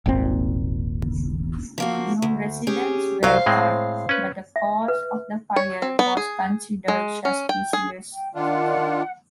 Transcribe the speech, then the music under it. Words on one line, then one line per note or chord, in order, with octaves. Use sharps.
No residents were hurt, but the cause of the fire was considered suspicious.
D#1 G#1 A#2 C4
F3 A#3 F#4
D2
C#4 G4 G#4
C2 F#3 C5 F5
A2 G#3 C4
C#4 B4
E5
B4
C#5
C4
B3
G#4
G#3
C#4
G5
G#4
G5
D#3 D4 F4 F#5